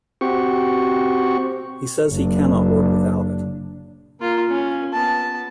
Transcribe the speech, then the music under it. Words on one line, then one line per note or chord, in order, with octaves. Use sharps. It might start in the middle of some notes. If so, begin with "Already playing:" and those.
He says he cannot work without it.
C4 F#4 G4 C#6
F#1 D4
A#3 F4
C#4
B3 A5